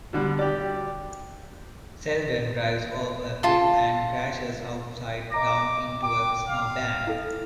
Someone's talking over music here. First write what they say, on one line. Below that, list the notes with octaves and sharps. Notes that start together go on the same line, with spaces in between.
Sheldon drives off a cliff and crashes upside down into a snowbank.
B2 D3 G3
G4 D5
F4 A5
D#5 A#5 D6 A#6
G5 D6
F5
E4 A4